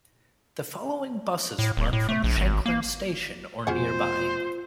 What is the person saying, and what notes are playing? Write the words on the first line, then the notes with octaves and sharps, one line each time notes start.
The following buses run from Shanklin Station or nearby.
A2
D1
A2
A3
A#1
G#1
A#3
F1 B2 C#4 F4 G#4 C5 F#5